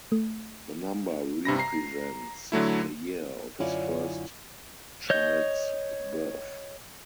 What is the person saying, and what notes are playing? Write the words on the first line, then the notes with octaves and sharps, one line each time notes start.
The number represents the year of his first child's birth.
A3
G2 C3 B5 A#6
A#5 C7
D3 F#3 A3 E4
F#2 D3 C#4 E4 F4 D5
C#5 D#5 G6